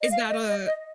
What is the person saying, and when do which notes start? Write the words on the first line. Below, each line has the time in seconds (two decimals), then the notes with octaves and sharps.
Is that a
0.01 D#5
0.11 F5
0.30 D#5
0.49 D#5
0.67 D#5